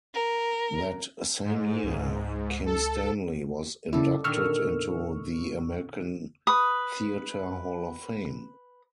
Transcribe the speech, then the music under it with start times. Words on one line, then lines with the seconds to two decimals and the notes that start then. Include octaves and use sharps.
That same year, Kim Stanley was inducted into the American Theatre Hall of Fame.
0.14 A#4
1.44 G#2
1.84 C#2
2.66 A4
3.93 C#3 G3 E4 A4
4.24 A#2 D3 D#3 C#6 E6 F6
6.47 B4 D#6